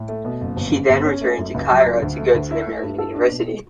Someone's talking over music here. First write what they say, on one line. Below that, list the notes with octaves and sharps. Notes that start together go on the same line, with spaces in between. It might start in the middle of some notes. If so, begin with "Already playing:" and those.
She then returned to Cairo to go to the American University.
Already playing: A2
A3
B2
F#1
G1
C#3
G1
C#4
A3
F#2
C#2
F#3
C#2
D2
A3
D2
E4
A3
G2
A4
D4
B2